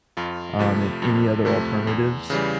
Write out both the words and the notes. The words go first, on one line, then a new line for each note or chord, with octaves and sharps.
um, and any other alternatives
F2 F4
C3 F3 A3
F2
C3 F3 A3
E2
C#3 E3 G3